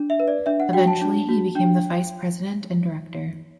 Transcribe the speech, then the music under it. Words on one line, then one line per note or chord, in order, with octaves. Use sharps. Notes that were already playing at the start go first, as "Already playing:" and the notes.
Eventually he became the vice president and director.
Already playing: D4
E5
B4
D5
D4 E5
F#5
F#4 G5
A5
D4
F#4
D4 G5